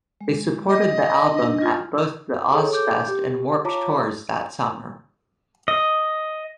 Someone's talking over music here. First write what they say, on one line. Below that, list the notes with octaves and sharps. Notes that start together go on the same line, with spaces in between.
They supported the album at both the Ozzfest and Warped tours that summer.
G#3
F#3 D#5
G#5
D4 D#4
F4
G#4 A4 C#5
D6 G6
G4
F4 C#5 A5 A#5 D6
D#5